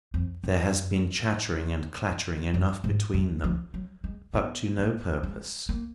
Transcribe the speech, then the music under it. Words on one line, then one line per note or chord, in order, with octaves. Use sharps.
There has been chattering and clattering enough between them, but to no purpose.
F2
F#2
F#2
G#2
F#2
F3
F#3
G#3
B3
A#3
G#3
A#3